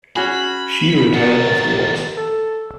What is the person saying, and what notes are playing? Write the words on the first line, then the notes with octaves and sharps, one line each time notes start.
She retired afterwards.
C#4 F#4 G#4 B5
D#3 B3 A#4 F#5 A6
A4